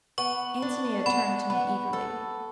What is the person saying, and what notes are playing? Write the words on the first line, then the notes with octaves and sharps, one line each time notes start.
Antonia turned to me eagerly.
B3 C#6
D4
B3 B5
B3
A4